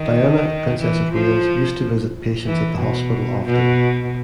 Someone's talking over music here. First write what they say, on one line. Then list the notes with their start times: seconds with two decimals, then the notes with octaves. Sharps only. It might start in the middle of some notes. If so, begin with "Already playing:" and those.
Diana, Princess of Wales used to visit patients at the hospital often.
Already playing: D#3
0.80 E3
1.13 F3
2.46 E3
2.79 B2
3.45 B2